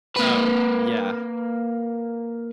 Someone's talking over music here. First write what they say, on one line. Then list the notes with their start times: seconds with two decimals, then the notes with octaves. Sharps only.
Oh, yeah.
0.16 A#3 B4